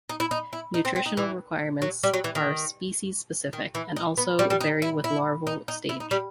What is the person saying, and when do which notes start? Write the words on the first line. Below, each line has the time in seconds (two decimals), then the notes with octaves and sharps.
Nutritional requirements are species specific and also vary with larval stage.
0.09 D#4
0.20 E4
0.31 D#4
0.53 E4
0.74 D#4
0.85 C4
0.96 C4
1.06 D#4
1.17 E3
1.82 F#3
2.03 G3
2.14 F#3
2.24 E3
2.35 D#3
3.53 D#3
3.75 E3
3.96 D#4
4.18 B3
4.39 G3
4.50 G3
4.61 D#4
4.82 E4
5.04 E4
5.47 D#4
5.68 D#4
5.89 E4
6.00 D#4
6.11 G3